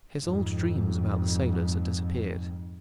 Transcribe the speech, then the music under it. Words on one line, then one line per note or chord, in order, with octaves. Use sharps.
His old dreams about the sailors had disappeared.
F2 G#2